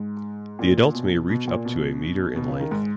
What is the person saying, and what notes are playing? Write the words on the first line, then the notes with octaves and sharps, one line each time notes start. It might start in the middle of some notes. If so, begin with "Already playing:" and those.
The adults may reach up to a metre in length.
Already playing: G#2
A#2
B2
B2
A#2
B2
B2
C#3
D#3
G#2